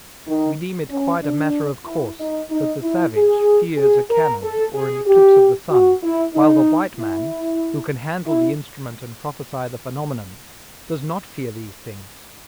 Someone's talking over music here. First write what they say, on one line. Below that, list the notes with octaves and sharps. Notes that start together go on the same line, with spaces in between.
We deem it quite a matter of course that the savage fears a cannon or an eclipse of the sun, while the white man, who can handle the instrument and prophesy the phenomenon, does not fear these things.
D#3
C#4
D4
E4
D#4
D#4
E4
G#4
G#4
A#4
A4
G#4
G4
F#4
E4
D#4
E4
E4